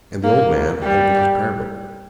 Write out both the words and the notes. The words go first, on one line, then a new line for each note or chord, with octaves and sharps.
And the old man opened his Prayer-Book.
A#3
G3